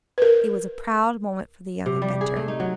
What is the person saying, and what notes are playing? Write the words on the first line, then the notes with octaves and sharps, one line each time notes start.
It was a proud moment for the young inventor.
A#4 B4
C3
G3
G#4
A3
D#4
F#3